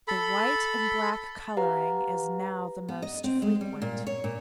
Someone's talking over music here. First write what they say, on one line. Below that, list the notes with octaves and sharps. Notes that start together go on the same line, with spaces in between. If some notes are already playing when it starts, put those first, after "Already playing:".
The white and black colouring is now the most frequent.
A4 B5
G4 B4 F5 F#5 A#5
B3
D#5
C4
G#3
G3
A#2
C#5
A#2